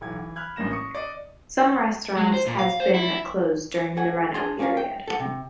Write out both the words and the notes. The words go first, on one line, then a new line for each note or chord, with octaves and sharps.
Some restaurants has been closed during the reno period.
B1 E3 G#6
E3
B5 F6 F#6 G#6
A1 G2 A#3 A#6 E7
C#6 D#6 C#7
D5 D#5
G#3
C5
A#2
F5
C5
E4
A4 C#5 F#5 G#5
D4 G#4 C6
A#3 C#4 F4 A#4 F5
G5
A4 F#5
C3